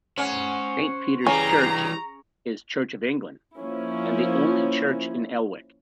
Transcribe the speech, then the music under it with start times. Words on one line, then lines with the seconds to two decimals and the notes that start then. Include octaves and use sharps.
Saint Peters church is Church of England and the only church in Elwick.
0.18 C#4 C5 F#5
1.27 C#3 E3 G3 C#4 A#5
3.58 F3 A#3 C#4 E4